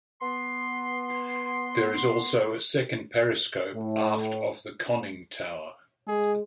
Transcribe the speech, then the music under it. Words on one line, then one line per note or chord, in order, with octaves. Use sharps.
There is also a second periscope aft of the conning tower.
B3 C6
A2
G#3 G#4